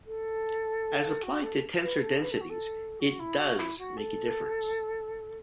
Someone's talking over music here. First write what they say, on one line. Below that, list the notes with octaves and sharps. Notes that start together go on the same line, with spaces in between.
As applied to tensor densities, it "does" make a difference.
A4
F#4
A4
B4
A4
B4
A4
F#4
A4
F#4
E4
F#4
E4
F#4
A4